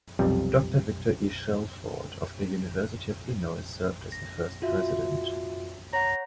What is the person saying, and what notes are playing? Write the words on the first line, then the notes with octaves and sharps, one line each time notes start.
Doctor Victor E. Shelford of the University of Illinois served as the first president.
B1 F2 C3 G3
A#6
F4 F#4 E5
C#5 F#5 A#5